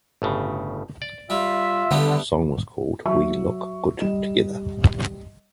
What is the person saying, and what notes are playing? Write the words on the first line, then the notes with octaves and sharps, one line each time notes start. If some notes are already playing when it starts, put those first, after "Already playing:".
The song was called "We Look Good Together".
G1 A2 C#3
D5
G3 F4 E5
D3 G3 A3 B3
F#3 E5 C#6
G3 D#5 E7